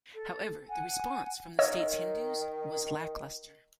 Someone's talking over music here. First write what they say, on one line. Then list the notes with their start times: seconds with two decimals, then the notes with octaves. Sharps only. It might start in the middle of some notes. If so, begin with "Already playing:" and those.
However, the response from the state's Hindus was lacklustre.
0.14 A4
0.69 F#5 G#5
1.59 D#3 C#5 D#5 E6